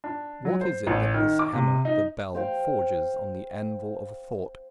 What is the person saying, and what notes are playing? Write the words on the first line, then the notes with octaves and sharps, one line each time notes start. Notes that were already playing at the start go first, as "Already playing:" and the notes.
What is it that this hammer, the bell, forges on the anvil of thought?
D4
F#3
C5
A1
D#3
D6
C3
D#4
C5 F5 G5